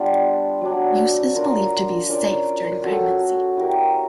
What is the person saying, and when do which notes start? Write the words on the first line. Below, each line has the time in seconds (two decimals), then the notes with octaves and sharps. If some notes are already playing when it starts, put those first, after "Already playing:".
Use is believed to be safe during pregnancy.
Already playing: G3 B3 D4 F4
0.61 F#3 B3 D4
1.35 D4 F4 A#4
2.09 C#4 F4 A#4 D5
2.83 C#4 F#4 A4
3.57 E4 G4 A#4